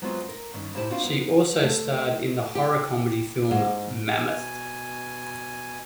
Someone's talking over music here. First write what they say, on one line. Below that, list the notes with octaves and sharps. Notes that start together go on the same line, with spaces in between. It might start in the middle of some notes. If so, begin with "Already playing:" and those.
She also starred in the horror comedy film "Mammoth".
F#3 G#3 B3 C4 F4 F#4
A#4
G2 D#3 C#4
A2 C3 E4 G4 C5 A5
A#3 C4 D4 F4 F#4
D2 B3
A3
G4
G#2
B2 G#5